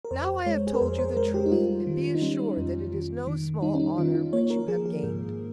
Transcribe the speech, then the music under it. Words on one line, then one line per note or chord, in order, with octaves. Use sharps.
Now I have told you the truth, and be assured that it is no small honour which you have gained.
A#4
F2 C5
G#3 C#5
G#4
A#4
F2 C5
C5
G#3 A#4
G4
D#4
G3 F4
D#3
D#4
G3 C#4
F2
D#3
D#3
G3 D#4
C#4
D#4
D#3 F4
D#4
A#3 C#5
A#4
F3 G#4
G#4
G#2